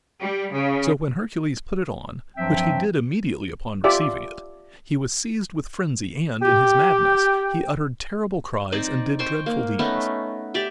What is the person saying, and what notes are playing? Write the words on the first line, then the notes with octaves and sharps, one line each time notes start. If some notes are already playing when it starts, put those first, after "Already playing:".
So when Hercules put it on, which he did immediately upon receiving it, he was seized with frenzy and, in his madness, he uttered terrible cries and did dreadful deeds.
G3
C#3
G2 F3 F#3 C4 E5 G5
F4 G4 D5 E5
G4 G5
C4 D#4 D5 D#5
C5 G5 C6 C#6
A#3
A3 B3 C#4 D#4
G4 D5 E5 G5